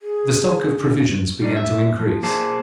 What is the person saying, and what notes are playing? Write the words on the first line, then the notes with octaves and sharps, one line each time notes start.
The stock of provisions began to increase.
G#4
G3 D4 D#4
E5
F3
A#3 G#4 C5 A5